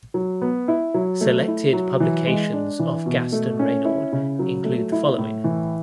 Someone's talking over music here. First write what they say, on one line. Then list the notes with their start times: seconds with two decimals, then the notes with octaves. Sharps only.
Selected publications of Gaston Raynaud include the following.
0.14 F#3
0.41 B3
0.68 E4
0.94 F#3
1.21 A3
1.48 E4
1.73 F#3
2.00 E3
2.26 G#3
2.53 D4
2.79 E3
3.06 B2
3.32 A3
3.59 C#4
3.85 E4
4.12 C#3
4.39 F#3
4.65 A3
4.92 E4
5.18 A2
5.44 E3